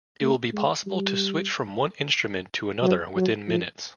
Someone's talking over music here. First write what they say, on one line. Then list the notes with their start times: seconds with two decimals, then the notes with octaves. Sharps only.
It will be possible to switch from one instrument to another within minutes.
0.21 A3
0.53 G#3
0.87 G3
2.83 F#3
3.16 F#3
3.48 F3